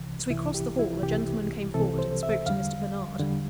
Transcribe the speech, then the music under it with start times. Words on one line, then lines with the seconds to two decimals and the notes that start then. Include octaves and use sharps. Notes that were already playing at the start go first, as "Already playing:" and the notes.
As we crossed the hall, a gentleman came forward, and spoke to Mr. Bernard.
Already playing: C2 C3 E3
0.31 C2 C3 E3 E4
0.54 G4
0.79 E4
1.02 C2 C3 E3 G4
1.74 C2 C3 E3 A4
1.99 C5
2.23 E5
2.46 E2 D3 G3 F5
3.19 E2 D3 G3